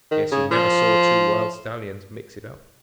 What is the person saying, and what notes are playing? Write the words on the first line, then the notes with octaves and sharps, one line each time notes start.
"Guess you never saw two wild stallions mix it up."
D#3
C#3
F3